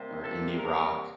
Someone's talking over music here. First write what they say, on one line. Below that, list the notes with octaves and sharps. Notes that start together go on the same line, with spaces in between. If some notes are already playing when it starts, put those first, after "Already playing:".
or indie rock,
Already playing: C3 G3 A#3
A4
A#4